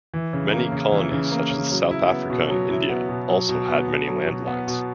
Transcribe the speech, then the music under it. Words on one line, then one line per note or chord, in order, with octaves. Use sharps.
Many colonies such as South Africa and India also had many land lines.
E3
C#3
A#3
C#3
E3
C#3
A#3
C#3
F#3
E4
B3
B2
F#3
E4
B3
B2
F#3
B2
B3
B2
F#3
B2
B3
B2